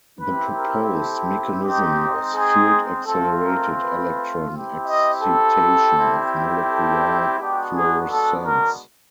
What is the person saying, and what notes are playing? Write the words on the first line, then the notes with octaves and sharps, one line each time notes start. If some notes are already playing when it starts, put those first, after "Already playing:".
The proposed mechanism was field-accelerated electron excitation of molecular fluorescence.
C4 E4 G4 B4
A#4
A4
G#3 C4 D#4 G4
G#4
A3 C4 F4 A4
A#4
B4
C4 E4 G4
D#5
A4
G3 C4 E4 G4
A4
G#3 B3 D4 F#4 G4
G#4
A4
A#4